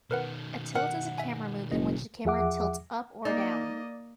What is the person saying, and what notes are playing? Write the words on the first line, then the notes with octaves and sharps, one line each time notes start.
A tilt is a camera move in which the camera tilts up or down.
B2 D#3 A#4 B4 F#5
A#4 F#5
E5 G#5
F#1 D#5
E2 F3 G#4 E5 F#5 D6
A#3 D#4 D5 D#5